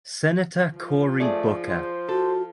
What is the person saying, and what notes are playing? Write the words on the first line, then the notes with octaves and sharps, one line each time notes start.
Senator Cory Booker.
F3
A3 G#4 D5
C5
F#4 A4